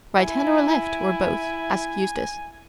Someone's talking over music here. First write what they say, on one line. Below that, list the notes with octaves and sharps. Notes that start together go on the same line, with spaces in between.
"Right hand or left, or both?" asked Eustace.
E4 G#5